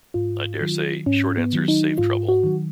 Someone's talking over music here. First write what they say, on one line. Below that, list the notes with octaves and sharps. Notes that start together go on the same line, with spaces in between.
I dare say; short answers save trouble.
G#2 F4
D#3 F#3
G#2 C#4
B3
D#3 F#3
D#4
G#2 F4
F#4
D#3 F#3